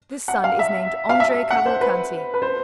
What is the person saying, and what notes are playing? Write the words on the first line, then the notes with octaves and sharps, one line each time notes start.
This son is named Andrea Cavalcanti.
F#5
F5
E5
F5
E5
F#5
C5
B4
B4
C5